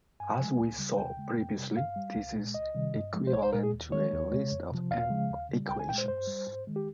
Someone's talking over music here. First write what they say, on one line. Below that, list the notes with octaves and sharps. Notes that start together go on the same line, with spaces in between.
As we saw previously, this is equivalent to a list of "n" equations.
G2 G#5
F3 G#3
C#2
C#3 G3
D#2 G5
C#3 G#3
F2
C3 G3
G2 F5
G3
C2
A#2 G#3
C#2 D#5
C3 D#3 G3
G2
F3 G#3
C5
C2 C#5
C5
A#2 G#3 A#4
G#4
D#2
D#3 G#3 C#5
D#2
C#3 G#3
F2
C3 F3
D#2 F5
C#3 F3 G#3
D#2
C#3 G3
C2 G5
G#5
A#2 G5
G#3 C5
G2 C5
G3
G#2
D#3 G#3
G4